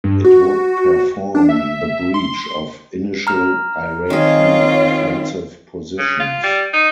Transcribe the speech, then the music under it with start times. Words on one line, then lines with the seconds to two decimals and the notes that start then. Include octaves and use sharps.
It would perform the breach of initial Iraqi defensive positions.
0.04 G2
0.25 F#4
1.35 D4
1.49 E5
2.14 C6
3.27 A#5 F6
4.10 D#3 C4 F4 G#4 C#5
5.98 C#3
6.20 F4
6.43 G3
6.73 D#4